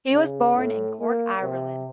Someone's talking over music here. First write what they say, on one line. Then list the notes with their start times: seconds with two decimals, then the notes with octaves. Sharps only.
He was born in Cork, Ireland.
0.13 C#3
0.55 A2
1.00 A#3
1.42 C3